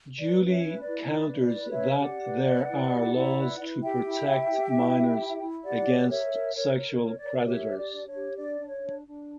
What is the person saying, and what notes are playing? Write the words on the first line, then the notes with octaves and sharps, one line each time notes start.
Julie counters that there are laws to protect minors against sexual predators.
B4 D5
C#4
C#5 E5
B4
D5
E4
B4 D5
E4
D5
B4
C#5 E5
C#4
G4 D5 F#5
B4
B4
E4
G4
E4
B4
E4
G4 E5 G5
E4
G4
G4
E4
G4
E4
E4
G4 D5 F#5
C#5
A#4 C#5 E5
A#4
A#4 C#5
C#5
A#4
D5
A#4
D5
G4 C#5 E5
G4
D5
D4
C#5
G4
D4 D5
D4
C#5
D4
D4